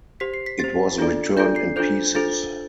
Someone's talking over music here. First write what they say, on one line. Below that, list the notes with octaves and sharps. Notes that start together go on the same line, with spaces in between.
It was returned in pieces.
G4 C5 B6
C7
B6
G4 C5 A6
D4 F4 A4 D5
D4 F4 A4 D5 G6
C7
D4 F4 A4 C5 G6
D4 F4 A4 C5 A6